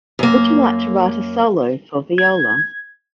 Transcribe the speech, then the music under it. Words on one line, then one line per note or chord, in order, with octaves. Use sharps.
Would you like to write a solo for viola?
F#2 A#3
G#6